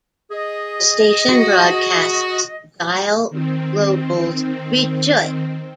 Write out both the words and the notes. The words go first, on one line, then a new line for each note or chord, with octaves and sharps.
The station broadcasts Dial Global's Rejoice!
G#4 D#5
F#4
D#3 C4